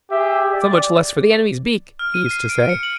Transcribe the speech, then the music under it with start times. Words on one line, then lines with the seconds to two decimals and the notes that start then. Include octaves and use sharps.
So much less for the enemy's beak, he used to say.
0.10 G4 G#4 E5
0.54 D5
1.99 F6
2.14 D#7
2.31 C7
2.49 D7
2.69 C#7
2.83 F#7